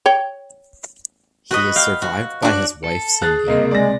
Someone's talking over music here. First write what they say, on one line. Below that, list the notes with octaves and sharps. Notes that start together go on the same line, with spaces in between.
He is survived by his wife Cindy.
C#5 G5
F#4 B4 D#5
F5 G5
F#4
D4 F#4
A4
G#4 F#6 A6
C#2 C3 A#3 D#5
G#3 D5 A#6